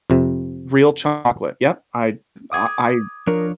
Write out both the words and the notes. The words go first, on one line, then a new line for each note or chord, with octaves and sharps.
real chocolate. Yep. I I I
F2 C3
D6 D#6 G#6
F3 D4 A#4 C#5